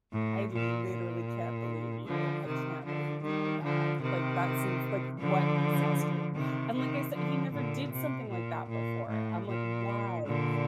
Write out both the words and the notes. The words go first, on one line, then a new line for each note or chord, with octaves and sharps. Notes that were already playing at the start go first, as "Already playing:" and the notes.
"I literally can't believe you, I can't believe you did that, like, that seems like what possessed you?" And like I said, he never did something like that before, I'm like, "Why?"
A2
A#2
A#2
D3 F3
C3 D#3
D3 F3
D#3 G3
D3 F3
C3 D#3
D3 F3
C3 D#3
C3 D#3
D3 F3
A#2 D3
C3
A#2
A#2
A2
A#2
A#2 D3